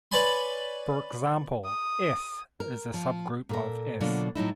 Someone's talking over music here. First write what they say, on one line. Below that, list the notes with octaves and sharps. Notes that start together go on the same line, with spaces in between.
For example "S" is a subgroup of "S".
B4 C#5 D5 G#5 B5 C6
D#6
A#4
F3
A#2 A4 A#4
B2 D3 F#3 A#3 D4 F4
A2 F#3 D#4 E4